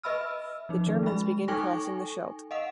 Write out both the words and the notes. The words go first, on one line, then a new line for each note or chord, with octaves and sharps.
The Germans begin crossing the Scheldt.
B4 D#5 E5 B5 E6 F6
F3 D#4
D#3
G#3 B5
D#4 A4 G5 G#5 C#6 A#6
D#5 F5 F#5